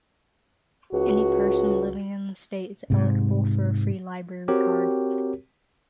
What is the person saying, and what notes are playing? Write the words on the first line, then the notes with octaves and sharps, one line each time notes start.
Any person living in the state is eligible for a free library card.
C#2 F#4
G#2 C3
C4 F#4 G4 A#4 C#5